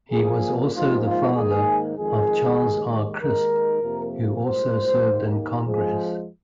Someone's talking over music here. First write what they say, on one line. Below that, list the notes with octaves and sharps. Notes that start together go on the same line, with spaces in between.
He was also the father of Charles R. Crisp who also served in Congress.
A#2 F3 A#3 G#4
G#2 F3 A#3 F4
F4
G#2 D#3 A#3 G#4
F2 D#3 G#3 G#4
D#2 D#3 G#3
D#2 D#3 G#3 A#4
F2 C3 F3 A#3
C2 A#2 G#3 C5
D#2 D#3 A#3
F2 F3 G#3 G#4